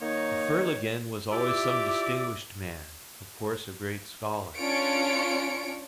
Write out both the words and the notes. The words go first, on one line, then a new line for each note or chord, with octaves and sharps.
The Fer-leginn was always some distinguished man--of course a great scholar.
D#3 A#3 D#4 C#5
E4 F4 G4 D5 E5 D6
C#4 D4 F4 C#5 C#7 D7